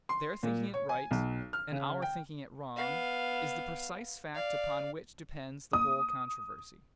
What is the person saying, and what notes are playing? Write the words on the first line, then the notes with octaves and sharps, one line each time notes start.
Their thinking it right and our thinking it wrong is the precise fact upon which depends the whole controversy.
C6
A#2
C#5
G#5
B1
F6
C#3
G5
B3 F5
D5 F5
D#6